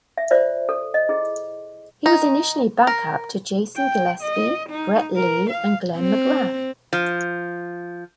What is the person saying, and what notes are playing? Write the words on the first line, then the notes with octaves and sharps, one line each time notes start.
He was initially back up to Jason Gillespie, Brett Lee and Glenn McGrath.
E5
F4 C5 D5 E5
A4
D#5
E4 G#4
D#4
A#4
G5
D#5
D#4
A#4
F5
C4
F3